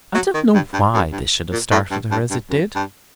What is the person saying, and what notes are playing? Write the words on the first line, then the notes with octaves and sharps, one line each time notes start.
I don't know why this should have startled her as it did.
F#3
D#3
G2
G2
F#2
G2
A#2
A2
G2
G2
G2
F#2
G2